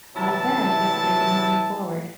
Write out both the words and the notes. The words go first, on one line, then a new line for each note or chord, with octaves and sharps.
uh, yeah, I hope you have a great day moving forward.
C3 E3 F#3 E4 A5